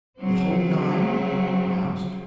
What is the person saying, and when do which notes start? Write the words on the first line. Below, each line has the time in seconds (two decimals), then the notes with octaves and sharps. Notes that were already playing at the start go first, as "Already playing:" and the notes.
"The whole nine?" I asked.
0.18 C#3 F#3 C4